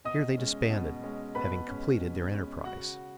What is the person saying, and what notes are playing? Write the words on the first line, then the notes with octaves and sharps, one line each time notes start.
Here they disbanded, having completed their enterprise.
B2 D#5 D#6
G#3 C#4
B2
G#3 C#4
B2 B4 B5
G#3 C#4
B2
G#3 C#4
C#3 F#4 F#5